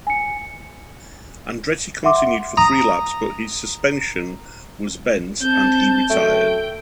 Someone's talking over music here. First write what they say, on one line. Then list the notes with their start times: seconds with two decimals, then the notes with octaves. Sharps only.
Andretti continued for three laps, but his suspension was bent, and he retired.
0.07 G#5 C#7
2.04 E5 F#5 C6 D6
2.57 A#5 D#6
5.42 C4 A5 G6
6.10 F#2 A3 G5